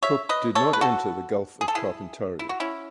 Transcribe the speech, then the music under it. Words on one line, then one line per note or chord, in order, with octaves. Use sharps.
Cook did not enter the Gulf of Carpentaria.
C#5 E5
B4 D#5
A4 C#5
B4
F#4 A4
G#4
A4
E4 G#4
E4
F#4
C#4 E4